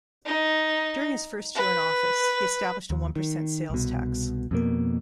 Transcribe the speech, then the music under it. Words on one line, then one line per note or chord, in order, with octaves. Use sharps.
During his first year in office, he established a one-percent sales tax.
D#4
B4
D#2
D#3
C2 B2
F2 B2 A#3